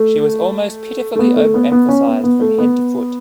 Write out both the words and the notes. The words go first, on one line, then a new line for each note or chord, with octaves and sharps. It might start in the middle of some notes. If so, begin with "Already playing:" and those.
She was almost pitifully overemphasized from head to foot.
Already playing: A3
A3
B3
A3
B3
B3
C#4
B3
B3
A3
B3